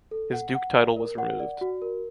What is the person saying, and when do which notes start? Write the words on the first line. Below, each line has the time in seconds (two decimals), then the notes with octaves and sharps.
His duke title was removed.
0.11 A4
0.33 F#5
0.55 F#5
0.75 D5
0.96 A#4
1.18 F#5
1.40 D5
1.61 F#4
1.82 A#4